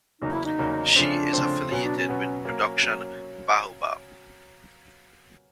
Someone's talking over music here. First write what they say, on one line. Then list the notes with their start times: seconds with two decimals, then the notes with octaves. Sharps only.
She is affiliated with Production Baobab.
0.22 E2 C#3 F#3 A#3 D#4
0.32 E4
0.44 D#4
0.59 E2 C#3 F#3 A#3
0.96 C#3 F3 A3 C4 D4
1.33 C#3 F3 A3 C4
1.70 B2 F#3 B3 C#4
1.84 D4
1.97 C#4
2.09 B2 F#3 B3
2.45 F#3 A#3 C#4
2.82 F#3 A#3 C#4